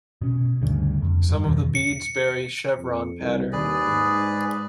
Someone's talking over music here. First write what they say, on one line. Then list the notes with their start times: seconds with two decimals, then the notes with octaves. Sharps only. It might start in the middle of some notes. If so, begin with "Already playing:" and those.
Some of the beads bear a chevron pattern.
0.21 B2 C#4
0.62 D2 G2 C#3
1.02 F2
1.30 G2
1.45 E2 B2 D#3
1.75 C#7
2.77 F2
3.19 C2
3.52 D#2 G#4 B4 D5
3.87 G#2